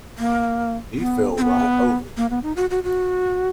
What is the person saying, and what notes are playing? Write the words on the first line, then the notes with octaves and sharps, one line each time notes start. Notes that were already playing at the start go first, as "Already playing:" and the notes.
He fell right over!
A#3
B3
C4
B3
A#3
B3
D#4
F#4
F#4
F#4